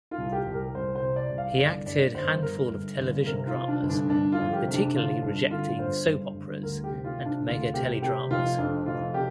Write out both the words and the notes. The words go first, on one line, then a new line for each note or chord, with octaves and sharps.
He acted handful of television dramas and particularly rejecting soap operas and mega teledramas.
F4
C2
G4
C2
A#4
C2 C5
C5
C3
D5
C2
F5
G1 D5
G2 D5
G1 C5
G1 A#4
G1
G1
C3 A#4
F4
C3
D4
G1
D4
G1 D4
F4
F2
G4
C3
D4
D3 F4
G1 D4
D3 F4
G1 C5
G2
G1
D2 A#4
G4
C3
F4
C3
D4
D2 F4
C3 G4
C3 G4
F1 F4
F2 D4
F1 F4
C3 G4